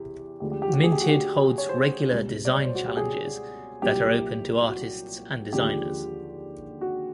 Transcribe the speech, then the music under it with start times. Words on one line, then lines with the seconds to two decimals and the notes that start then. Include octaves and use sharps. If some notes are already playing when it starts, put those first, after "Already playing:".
Minted holds regular design challenges that are open to artists and designers.
Already playing: E2 C3 G4
0.40 D2 D3 F3 G#3 G4
0.51 G4
0.62 G4
0.68 F#4
0.73 G4
0.84 G#4
0.92 G4
1.01 F#4
1.09 G4
1.58 C#5
1.69 C5
2.12 C#2 B2 G3
2.45 D5
2.54 C#5
2.64 C5
2.75 F#4
2.86 G4
2.97 G#4
3.82 C2 A#2 F#3 G4
4.68 F#4
5.53 D#2 D3 F3 G#3 G4
6.81 F#4